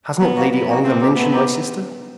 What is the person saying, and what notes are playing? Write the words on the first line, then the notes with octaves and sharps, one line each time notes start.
Has not Lady Ongar mentioned my sister?
F#3 B3
A#3 D#4 F#4
F#3 B3
A#3 D#4 F#4
A3 C4
C4 D#4 G4
A3 B3
C4 D#4 G4